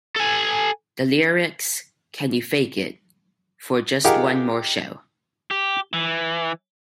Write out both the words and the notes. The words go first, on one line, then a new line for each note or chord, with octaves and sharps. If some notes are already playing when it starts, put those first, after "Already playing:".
The lyrics Can you fake it, for just one more show?
A4 G#5
D#4 F4 G4 G#4 A#4 F#5
G4
E3